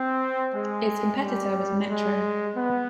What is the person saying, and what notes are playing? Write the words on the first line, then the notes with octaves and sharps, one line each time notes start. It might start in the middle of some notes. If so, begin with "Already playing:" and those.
Its competitor was "Metro".
Already playing: C4
G#3
G3
G#3
B3